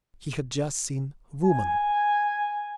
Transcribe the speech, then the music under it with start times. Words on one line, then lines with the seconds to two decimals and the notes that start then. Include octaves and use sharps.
He had just seen Woman.
1.44 G#5